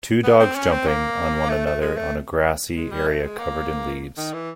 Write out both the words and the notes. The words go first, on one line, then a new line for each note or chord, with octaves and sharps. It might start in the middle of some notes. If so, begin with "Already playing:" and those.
Two dogs jumping on one another on a grassy area covered in leaves.
B3
C4
C#4
C4
A#3
A3
A3
G#3
A3
G#3
G3
A3
G#3
A#3
D#3
E3